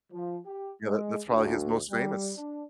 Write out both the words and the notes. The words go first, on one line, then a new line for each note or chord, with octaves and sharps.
yeah, that that's probably his most famous.
F3
G4
G#3
D2
G3
D4